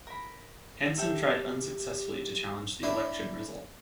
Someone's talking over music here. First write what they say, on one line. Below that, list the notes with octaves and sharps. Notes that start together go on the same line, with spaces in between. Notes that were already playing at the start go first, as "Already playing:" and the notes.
Hansen tried unsuccessfully to challenge the election result.
A#4 B5
G4 A4 E5 G5
D4 E4